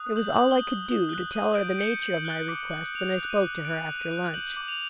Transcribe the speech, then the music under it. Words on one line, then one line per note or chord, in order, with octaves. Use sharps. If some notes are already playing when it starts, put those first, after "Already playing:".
It was all I could do to tell her the nature of my request, when I spoke to her after lunch.
Already playing: D#6 F#6
G6 F#7
F#7
D#6
G7
D#6 G7
D#6 G7
F#6 G7
D#6 D#7
G6 D7
D7
G6 C#7
G6 F#7
F#6 G7
D6
F#7
F#6
F#6 F7
F#6
D#7
F#6
F#6 D7
F#6
D#7
F#6
G6 F#7
D6
F7